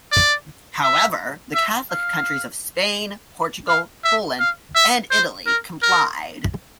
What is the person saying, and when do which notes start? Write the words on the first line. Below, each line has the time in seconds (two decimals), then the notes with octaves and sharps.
However, the Catholic countries of Spain, Portugal, Poland, and Italy complied.
0.12 D5
0.84 E5
1.55 E5
1.90 F5
3.68 F5
4.04 E5
4.39 F5
4.75 E5
5.11 C5
5.46 A#4
5.82 A#4